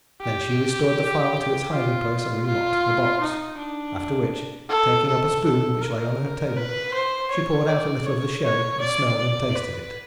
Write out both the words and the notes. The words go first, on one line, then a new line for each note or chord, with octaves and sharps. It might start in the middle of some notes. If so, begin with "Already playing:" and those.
Then she restored the phial to its hiding-place and re-locked the box--after which, taking up a spoon which lay on her table, she poured out a little of the sherry and smelled and tasted it.
G4
F4
F4
D#4
D4
A4
A4
A4
A#4
B4
C5
C#5
D5
C#5
C#5
D5
D5
B4